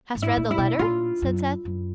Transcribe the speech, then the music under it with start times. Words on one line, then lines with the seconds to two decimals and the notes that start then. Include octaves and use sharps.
"Hast read the letter?" said Seth.
0.15 G#2
0.22 E4
0.37 A#2
0.51 E4
0.58 B2
0.79 A#2 F4
1.22 F#2
1.65 F#2